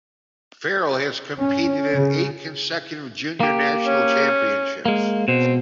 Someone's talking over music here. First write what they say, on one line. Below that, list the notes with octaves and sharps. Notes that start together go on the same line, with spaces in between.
Farrell has competed in eight consecutive Junior National Championships.
C#4
C#3
A#3 G4
C#4
G#3 A#3
B2 C4